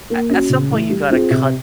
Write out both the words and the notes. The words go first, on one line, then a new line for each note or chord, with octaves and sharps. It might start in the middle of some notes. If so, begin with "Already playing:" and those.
a at some point, you gotta cut
A#3
C#4 F#4
C#3
E3 A3
G3
C4 F4 G#4
C3